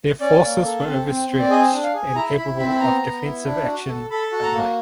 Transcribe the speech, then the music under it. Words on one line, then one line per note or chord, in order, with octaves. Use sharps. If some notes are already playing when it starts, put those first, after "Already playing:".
Their forces were overstretched and capable of defensive action only.
C#4 D5
A#3
A4
C4
C4
C4
D5
G#4 D#5
D4
F5
G#4
E4 A#5
E4 B5
C4 B5
B5
B3 A#5
B3
E4
D4
F#4
A4
A4 B5
F#4
A#5
A#3